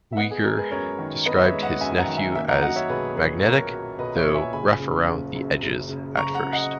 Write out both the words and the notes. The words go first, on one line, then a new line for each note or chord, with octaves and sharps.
Uygur described his nephew as "magnetic" though "rough around the edges" at first.
E5
B3 D#5 F#5
G#4
G#3 A#4
G#4 B4
F#2 A#4 C#5
D#3
B3 B4 D#5
C#5 E5
G#3
D#5 F#5
F#2 E5 G#5
G#5
F#5 A#5
D#3
E5 G#5
A#3 E5 G#5
F#5 A#5
F#3 D#5 F#5
C#5 E5
B1 G#4 B4
A#2 G#4 B4
A#3 A#4 C#5
F#3
B1 B4 D#5
C#5 E5
A#2
E5 G#5
F#1 G#5 B5
C#3
F#1
F#2
F#1
C#3
F#1 A#5 C#6
F#5 A#5
F#2
D#5 F#5